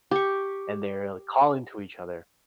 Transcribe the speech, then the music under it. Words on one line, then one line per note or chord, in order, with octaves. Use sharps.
and they're, like, calling to each other.
G4 C#6